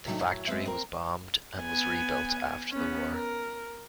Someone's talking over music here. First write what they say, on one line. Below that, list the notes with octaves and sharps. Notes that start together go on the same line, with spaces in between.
The factory was bombed, and was rebuilt after the war.
C3 D#3 F#3 G3 A3 D4
F#2 A2 F#3
G#3 B3 C4 E5
C4 A#4
B3 G#5
B3 C#4
A#4